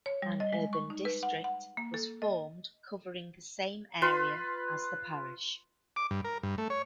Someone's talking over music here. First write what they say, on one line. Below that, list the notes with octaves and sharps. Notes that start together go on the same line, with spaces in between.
An urban district was formed covering the same area as the parish.
C#5
G3
D#5
G#3
C#6
D#4
B4
F#5
F#5
A#3
A4
D#5
F4 B4 B5 C6
D6
G2
A#4
G2
A3
C#5